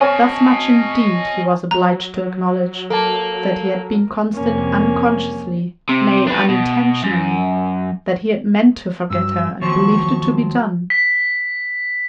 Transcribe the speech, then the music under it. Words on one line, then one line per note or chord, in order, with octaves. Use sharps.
Thus much indeed he was obliged to acknowledge: that he had been constant unconsciously, nay unintentionally; that he had meant to forget her, and believed it to be done.
C#4 D#5 A5
F#3 A#5
A#3 A4 A5
F2 C3 A#3 C#4
C3
D4 B4
B2
F#2
G2 F#3 E6
D#2 F3 F#3 C#6
B6